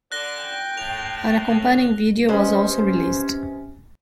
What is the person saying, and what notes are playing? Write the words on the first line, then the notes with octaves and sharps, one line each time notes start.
An accompanying video was also released.
D3 D5 F#6 A#6 G7
G5
A2 A3 F7
C3 G#3 C#4 B4 C5 D#5